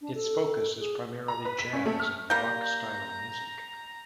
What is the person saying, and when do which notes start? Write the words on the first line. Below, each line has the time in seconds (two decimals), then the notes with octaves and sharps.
Its focus is primarily Jazz and Rock style music.
0.01 D4
0.14 A4
0.79 G#4
1.28 A#5
1.45 B4
1.59 B6
1.73 C#4
1.86 A3
2.00 F6
2.30 G3 A#3 A#5 G6